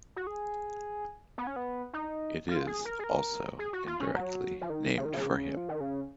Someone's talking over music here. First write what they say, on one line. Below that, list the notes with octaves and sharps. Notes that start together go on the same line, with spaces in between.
It is also, indirectly, named for him.
F#4
G#4
B3
C#4
B3
D#4
F4
G#4
A#4
G#4
A#4
G#4
F#4
F4
C#4
F#3
F3
D#3
C#3
D#3
C#3
F3
D#3
C#3